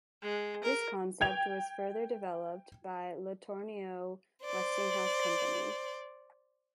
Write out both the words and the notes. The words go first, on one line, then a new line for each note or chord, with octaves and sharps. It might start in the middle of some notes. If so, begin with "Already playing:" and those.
This concept was further developed by LeTourneau Westinghouse Company.
G#3
A#4
G5 G#6 F7
C5 D5